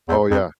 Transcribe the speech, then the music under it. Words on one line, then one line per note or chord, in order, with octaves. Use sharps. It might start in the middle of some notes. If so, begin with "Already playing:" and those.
Oh, yeah.
E2
F2